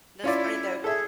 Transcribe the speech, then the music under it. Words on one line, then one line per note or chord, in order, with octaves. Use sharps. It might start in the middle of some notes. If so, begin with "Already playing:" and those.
That's funny, though.
C#4 E4 F4 D5
G#4 A4 E5